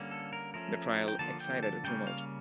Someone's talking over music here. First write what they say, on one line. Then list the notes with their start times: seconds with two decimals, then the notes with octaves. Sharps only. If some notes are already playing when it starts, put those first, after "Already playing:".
The trial excited a tumult.
Already playing: D3 G3 A#3 C#4
0.11 A4
0.33 A#4
0.54 F3 A3 C#4 A#4
1.08 G5
1.19 D3 F3 A#3 A5
1.40 G5
1.63 A5
1.84 C#3 G3 A#3 C#4 G5
2.07 F5